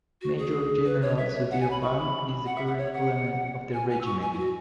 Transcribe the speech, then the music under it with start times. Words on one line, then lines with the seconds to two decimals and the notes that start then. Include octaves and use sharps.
Major General Sudhir Bahl is the current Colonel of the Regiment.
0.22 F#4
0.38 G#4
0.86 B4
1.02 C#5
1.18 E5
1.29 B4
1.34 C#5
1.50 F#5
1.61 G#5
1.71 B5
1.82 C#6
1.98 B5
2.46 F#5
2.56 E5
2.67 F#5
2.78 C#5
2.94 F#5
3.74 G#5
3.90 G#5
4.01 E6
4.05 C#6
4.22 G#5
4.33 E4
4.38 F#4